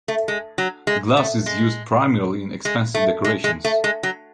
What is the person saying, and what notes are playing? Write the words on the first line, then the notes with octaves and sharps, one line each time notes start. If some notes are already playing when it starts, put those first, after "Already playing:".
The glass is used primarily in expensive decorations.
A3
G#3
F#3
G#3
A3
G#3
G#3
A3
G#3
G#3
A3
G#3
F#3